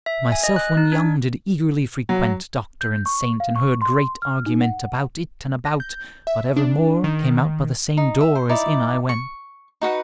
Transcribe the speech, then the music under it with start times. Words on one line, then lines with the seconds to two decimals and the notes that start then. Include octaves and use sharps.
Myself when young did eagerly frequent Doctor and Saint, and heard great Argument About it and about: but evermore Came out by the same Door as in I went.
0.06 E5
0.32 G#5
0.43 D#5
0.56 F#6
0.77 D#4
0.92 D4
2.09 F#3
2.81 G6
3.06 C#6
3.40 F5
3.56 C#6
3.82 C6
4.22 F6
4.46 D#4
4.61 F#5
5.65 A#6
5.80 G6
6.27 E5
6.57 D4
7.04 D#3
7.97 D#4
8.20 E5
8.35 C5
8.49 D#4 E4 D5
9.09 C#6
9.82 D#4 F#4 B4 F#5